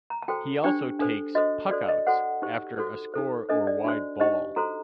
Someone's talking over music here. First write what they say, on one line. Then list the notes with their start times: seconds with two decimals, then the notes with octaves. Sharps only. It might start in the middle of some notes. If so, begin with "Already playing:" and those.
He also takes "puckouts" after a score or wide ball.
0.10 A#5
0.22 A5
0.28 F#4 A4 C5 G5
0.64 D4 G4 C5 G5
0.99 D4 A4 C5
1.35 F#4 A4 C5 D#5
1.70 F#4 A4 C5 D5
1.89 D#5
2.07 F#4 A4 C5 F#5
2.42 D#4 G4 C5
2.77 F#4 A4 C5
3.14 D#4 A4 C5
3.49 D4 A4 C5 D#5
3.67 D5
3.85 D4 F#4 C5
4.20 D#4 G4 C5 D#5
4.56 F#4 A4 C5 A#5